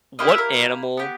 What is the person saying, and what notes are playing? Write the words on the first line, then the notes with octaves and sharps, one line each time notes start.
What animal,
A#3 E4 G4 D#5
E5
A#4
B3 G4